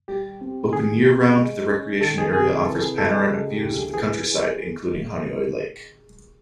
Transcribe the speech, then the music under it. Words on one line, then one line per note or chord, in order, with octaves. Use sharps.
Open year-round, the recreation area offers panoramic views of the countryside, including Honeoye Lake.
G3 G4
C4
D#3 G#4
C3
G#3
C#4
D#3 A4
G#4
C3 G#4
E3 A4
G#4
G#3 A4
G#4
C#3 F#4
G4
D2 G4
G#4
E3 G#4